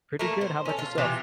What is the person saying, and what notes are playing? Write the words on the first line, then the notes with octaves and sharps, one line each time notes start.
Pretty good. How about yourself?
A3 A#3
C5
C#4 A4
F4
C3 E3 F4 G4